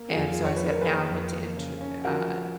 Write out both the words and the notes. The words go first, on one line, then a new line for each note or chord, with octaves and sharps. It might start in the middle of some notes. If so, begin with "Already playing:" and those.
and so I said, “Now I want to enter “uh,
Already playing: A#3
F4 G#4
F2
F4 G#4
F2
C#5
B4
D#3
A#4
G#4 B4
A#3
F2
A#3
C#3
C#4
F3 F#4 A#4